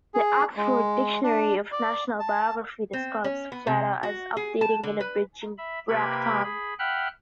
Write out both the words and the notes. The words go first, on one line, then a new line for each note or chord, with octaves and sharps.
The "Oxford Dictionary of National Biography" describes "Fleta" as "updating and abridging" Bracton.
G#4
G#3
D4
D5
A5
C4
C#4
B3
C3
F#4
G#4
A5
D3
B4
E5 B5
C3 A#3 G4 B4 B5 G#6
G#4 B5
E5 F#5 G5 B5 F6 F#6